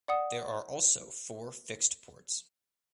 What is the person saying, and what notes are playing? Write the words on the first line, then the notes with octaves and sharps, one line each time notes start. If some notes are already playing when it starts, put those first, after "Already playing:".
There are also four fixed ports.
D5 F#5 D#6